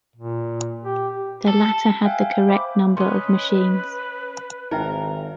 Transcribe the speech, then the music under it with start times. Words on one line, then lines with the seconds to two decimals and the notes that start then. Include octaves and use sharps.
The latter had the correct number of machines.
0.16 A#2
0.84 G4
1.48 A4
2.05 E5 F5 G5 G#5 F#6
2.48 C5 E5 B5 D6
2.97 C#4 B4 D#5 C6
4.71 G#1 D#4 A#4 E5 G5